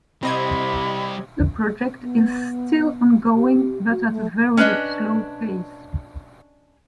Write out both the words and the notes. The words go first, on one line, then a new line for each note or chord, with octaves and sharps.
The project is still ongoing but at a very slow pace.
C3 G3 C4 C5 D#5 B5 G#6
B3
G4
F#4
A3
C#4 D4 B4 D5 D#5